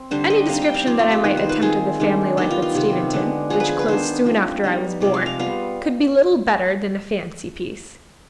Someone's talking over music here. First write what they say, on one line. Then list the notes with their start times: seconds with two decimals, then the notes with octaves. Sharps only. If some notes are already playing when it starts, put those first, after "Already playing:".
Any description that I might attempt of the family life at Steventon, which closed soon after I was born, could be little better than a fancy- piece.
Already playing: C4
0.11 D3 G3 D4 C5
0.30 D#5
0.49 G3 C4 D#4 F5
0.62 G5
0.74 F5
0.86 F3 C4 F4 D5
0.99 F4
1.12 G4
1.24 D#3 B3 D#4 B4
1.37 C5
1.49 B4
1.61 D#3 G#3 C4 F4 G#4
2.00 D#3 G#3 D4
2.37 D#3 G3 B3 G4
2.51 F4
2.62 F4
2.75 C3 D#3 B3 G4
3.13 D3 G#3 B3 D4
3.50 F3 B3 F4 G#4
3.60 B4
3.69 G#4
3.79 B4
3.88 D#3 B3 D4 C5
4.26 F3 C4 F4
4.64 G3 B3 D#4
5.01 C3 F3 G#3 D5
5.14 F5
5.26 F5
5.39 G3 B3 F4 F5